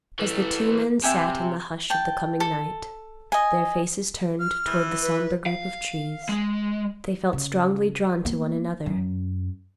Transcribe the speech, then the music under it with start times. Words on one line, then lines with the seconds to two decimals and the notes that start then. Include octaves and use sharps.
As the two men sat in the hush of the coming night, their faces turned toward the somber group of trees, they felt strongly drawn to one another.
0.19 E3 A3
1.04 C3 E5 G5 G#5
1.90 G5 A5
2.40 A4
3.32 D#5 G#5
4.40 F6
4.67 E3
5.01 B4
5.46 F5
6.29 G#3
7.33 C#3
8.25 A#3 B3
8.86 F#2